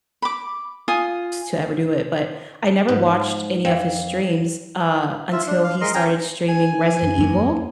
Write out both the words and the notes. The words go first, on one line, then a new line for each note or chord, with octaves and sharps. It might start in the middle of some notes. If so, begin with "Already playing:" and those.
to ever do it, but I never watched any of his streams, uh, until he started streaming Resident Evil.
B5 D6
F4 G#5 D#6
G#2
F2
F4 E5
D4
F5
G#3 A#4 D#5 C6
C#4 G5 G#5 A#5
G#5
F#2
E2 F#3 A#3